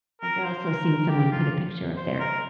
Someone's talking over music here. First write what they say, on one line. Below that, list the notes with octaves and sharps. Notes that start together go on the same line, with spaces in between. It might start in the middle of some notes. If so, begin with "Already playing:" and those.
I've also seen someone put a picture of their
A#4
C5
A#4
G4
F4
C5
A#4